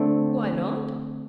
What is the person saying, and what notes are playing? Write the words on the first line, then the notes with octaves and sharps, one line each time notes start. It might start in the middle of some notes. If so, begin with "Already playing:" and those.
"Why not?"
Already playing: D3 A3 C4